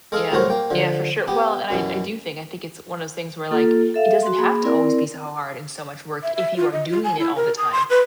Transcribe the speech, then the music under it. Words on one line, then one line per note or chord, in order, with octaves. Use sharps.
Yeah. Yeah, for sure, well, and I I do think, I think it's one of those things where, like, it doesn't have to always be so hard and so much work if you are doing it all the time,
G#3 G#4 A4 F5
C2 A2 F#3 A#4 C5 C#6
A#3 G5
D3 F3
B3 G4
F#2 B2 E3
A#3 F4 A4
A4 E5 F5
F#4 C6
A#3 G#4 B5
C4 E4 A#4 D5
E5
E5
F4
D#5
F4
G#5
E4
A#4
D#6
C6
B4